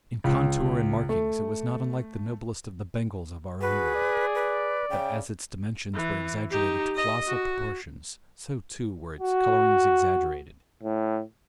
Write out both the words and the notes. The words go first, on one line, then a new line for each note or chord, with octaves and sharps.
In contour and markings it was not unlike the noblest of the Bengals of our own world, but as its dimensions were exaggerated to colossal proportions so too were its colorings exaggerated.
C#2
A3
F#4 G#4 B4
D5
B4
C#3 G5
E3
D#4 G4
D#5
F#4
F#4
A2